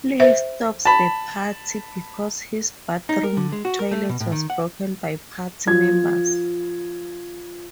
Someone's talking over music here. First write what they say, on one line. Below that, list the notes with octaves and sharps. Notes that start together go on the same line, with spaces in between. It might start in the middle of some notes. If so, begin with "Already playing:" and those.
Play stops the party because his bathroom toilet was broken by party members.
C5 E5
A5 B5
D#4
A#4
D3
G#3
F#4
A#4
A3
B2
A2
D#3
F#5
F3 G#6